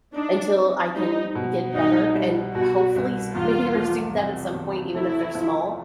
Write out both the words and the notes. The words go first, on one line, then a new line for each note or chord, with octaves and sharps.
until I can get better and hopefully s maybe resume that at some point, even if they're small.
D4 D#4
C4
G3 D#4
B2
C2 D#4
G3
B2 F#4
C2
E2 F4
F3
C3
E2
A3 E4
F3